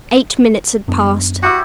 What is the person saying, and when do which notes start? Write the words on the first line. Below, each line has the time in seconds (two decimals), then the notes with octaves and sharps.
Eight minutes had passed.
0.88 F#2 B3 D4
1.43 E4 F#4 G4